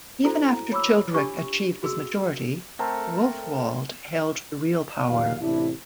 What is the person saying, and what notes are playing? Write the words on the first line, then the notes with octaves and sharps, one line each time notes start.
Even after Childeric achieved his majority, Wulfoald held the real power.
E4 F#4 A4 C5 A#5
A#5
C#5 B5 D6 E6
D4 F4 G4 C#6 D6
F#4 G#4 C6 E6
A3 C4 A4 A#4
F#1 D#2 A#2 F5
A1 C3 D4 E4